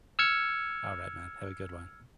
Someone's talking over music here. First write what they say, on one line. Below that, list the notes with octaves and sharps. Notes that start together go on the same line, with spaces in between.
Alright, man, have a good one.
E6 F6 G#6 C#7